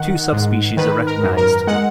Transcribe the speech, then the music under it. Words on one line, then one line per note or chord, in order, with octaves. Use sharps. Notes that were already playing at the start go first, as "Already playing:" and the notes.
Two subspecies are recognized.
Already playing: D#3 F#5
G#2
D#3 B4
A#4
F#2
A#4
G#3 F#5